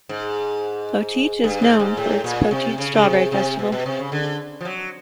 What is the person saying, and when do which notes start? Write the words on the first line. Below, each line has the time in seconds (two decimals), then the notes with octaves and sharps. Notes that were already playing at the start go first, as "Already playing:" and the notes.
Poteet is known for its "Poteet Strawberry Festival".
0.09 G#2
1.44 G2
1.62 G#2
1.80 G#2
1.97 A2
2.24 A#2
2.51 C3
2.78 C#3
2.94 C#3
3.04 C3
3.32 C3
3.59 B2
3.72 B2
3.86 C3
3.99 C#3
4.12 D3
4.61 F3
4.65 F#3